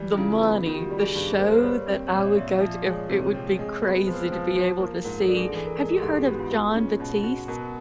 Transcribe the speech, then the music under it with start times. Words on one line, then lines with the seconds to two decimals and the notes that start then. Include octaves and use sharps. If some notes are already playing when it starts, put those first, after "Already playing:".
the money, the show that I would go to it it would be crazy to be able to see. Have you heard of John Batiste?
Already playing: E3 G3
0.12 E4
0.18 C#3 F4
0.41 B3
0.66 D#3 F4
0.74 G4
0.81 F#4
0.91 G3
0.99 G#4
1.14 G2 G4
1.27 G#4
1.39 A#3 C5
1.52 B4
1.63 G3 C#5
1.87 C4
2.07 C#5
2.12 A#2 D5
2.25 D#5
2.37 A#2 E5
2.48 D#5
2.61 F3 D5
2.86 G#3 C#5
3.09 C3 C#5
3.34 C4
3.59 G#3
3.82 B3
4.07 F3 C5
4.14 B4
4.21 C5
4.32 F3
4.55 F3
4.80 A#3
5.05 G#2 A#4
5.21 A4
5.29 D4
5.36 G#4
5.53 E3 A4
5.66 A#4
5.77 G#3 A#4
5.90 A4
5.97 G4
6.02 G#2 G#4
6.14 G4
6.26 B3 F#4
6.39 F4
6.50 G#3
6.75 C#4
7.00 B2
7.24 F#4
7.48 B2 A#4